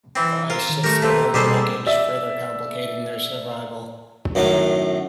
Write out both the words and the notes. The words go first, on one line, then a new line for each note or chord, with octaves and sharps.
The ice shifts below the wreckage, further complicating their survival.
E3 C4
F4 A#4
D#3
A3 G4 A#4 C#6
A3 A#3 C4 B4
B2 G3 G#3 G#4 A4 C5
D5 E5
F#2 A2 D#3 F#3